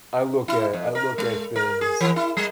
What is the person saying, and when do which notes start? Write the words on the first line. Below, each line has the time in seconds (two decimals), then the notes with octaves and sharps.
I look at I look at things
0.48 E4
0.73 F2
0.95 A#4
1.18 G#3
1.56 A#4
1.81 G#4
2.01 E3
2.16 E4
2.37 G3